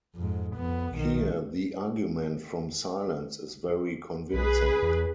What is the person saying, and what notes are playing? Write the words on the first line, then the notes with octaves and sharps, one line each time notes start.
Here the argument from silence is very convincing.
F2 G#2
F2 B3
B1 D#3
B1 G#4 B4
E2